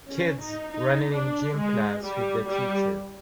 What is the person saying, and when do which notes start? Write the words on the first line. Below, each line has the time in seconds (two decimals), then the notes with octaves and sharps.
Kids running in gym class with their teacher.
0.11 C#4
0.41 D#4
0.70 D#4
1.14 D4
1.59 G#3
2.03 G3
2.47 G3